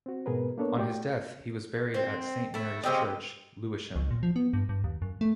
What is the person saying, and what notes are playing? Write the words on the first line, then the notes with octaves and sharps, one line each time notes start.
On his death he was buried at Saint Mary's Church, Lewisham.
C4 F#4
G#2 B2 G#4 A#4 B4
A#3 B3 D4 A4 A#4 C#5
A3 F#4 G4 D5 G5
C4
A3 E4
C#3 C4 G4 D#5
C#2
A#2
F3
B3
G2
G2
D#2
F#2
A3